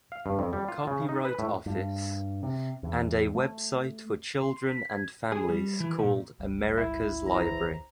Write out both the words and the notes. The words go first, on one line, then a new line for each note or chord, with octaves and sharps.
Copyright Office; and a web site for children and families called America's Library.
F5
G2
F2
G3
F4
C#3
D#4
B4
A2
G2
C3
E2
A3
C6
B6
G#6
G#4
G3
E3
A#2
G1 C#2 G3
E4
E2 C5 A#5